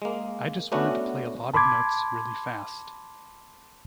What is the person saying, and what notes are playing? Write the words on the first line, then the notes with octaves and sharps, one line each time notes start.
I just wanted to play a lot of notes really fast.
G#3 A#3
A3 B3 C#4 D4 F#4
A5 B5 C6 D6 G#6